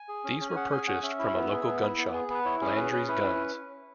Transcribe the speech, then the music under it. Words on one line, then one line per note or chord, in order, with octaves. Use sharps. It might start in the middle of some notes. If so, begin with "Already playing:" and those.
These were purchased from a local gun shop, Landry's Guns.
Already playing: G#5
G#4
C#4
C#4
G#5
G#4 F#5
G#4 G#5
C#4 F#5
C#4 E5
E4
B3
G#4
B3
E4
B3
G#4
B3 B4
E4 C#5
C#4 G#4
G#4 B4
C#4 B4
E4 B4
C#4